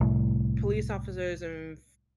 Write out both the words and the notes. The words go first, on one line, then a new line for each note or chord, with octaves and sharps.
police officers and f,
C2 A2